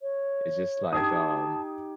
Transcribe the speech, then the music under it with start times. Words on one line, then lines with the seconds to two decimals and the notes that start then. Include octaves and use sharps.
is just, like, um,
0.02 C#5
0.93 D#4 G4 G5 A5 D#6 G#6